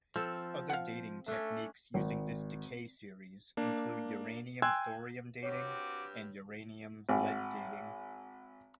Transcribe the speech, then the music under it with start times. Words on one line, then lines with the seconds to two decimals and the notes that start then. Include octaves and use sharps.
Other dating techniques using this decay series include uranium-thorium dating and uranium-lead dating.
0.16 F3 C4 A4
0.70 F5 F#5
1.28 A3 C#4 D4
1.94 G#1
3.57 A#3 D4
4.62 G5 G#5 C6 E6 F#6 G#6
5.43 G2 C4 F#4 C#5 D6
7.09 G#1 F#5 G#5